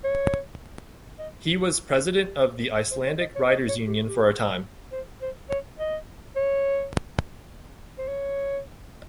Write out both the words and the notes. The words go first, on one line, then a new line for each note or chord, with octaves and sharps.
He was President of the Icelandic writers union for a time.
C#5
D#5
C5
C#5
D#5
C#5
D#5
C#5
G4
G4
C5
C5
C#5
D#5
C#5
C5
C#5